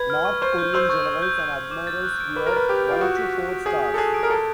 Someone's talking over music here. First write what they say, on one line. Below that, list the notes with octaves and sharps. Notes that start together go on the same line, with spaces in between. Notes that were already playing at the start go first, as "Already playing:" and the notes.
North Korean generals and admirals wear one to four stars.
Already playing: B4 G#6
F6
C#6
C5 C#6
G6
C5 E6
C#6
C#6
G6
E6
C#6
D6
A6
F#6
D7
B4 D6
A#4
B4 A6
G4 F#6
D7
F4
F#4 D#6
B6
F#6
D7
G#4 D#6
B6
A4
G#4 F#6
D7
A#4
A4 G#6